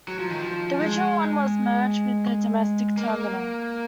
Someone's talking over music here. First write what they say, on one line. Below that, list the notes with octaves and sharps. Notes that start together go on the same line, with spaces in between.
The original one was merged with the domestic terminal.
F#3
F3
D#3
F3
G#3
A#3